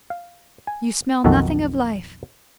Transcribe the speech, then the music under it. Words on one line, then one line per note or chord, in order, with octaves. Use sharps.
You smell nothing of life.
F5
G#5
B1 F2 D#3 F#4 A4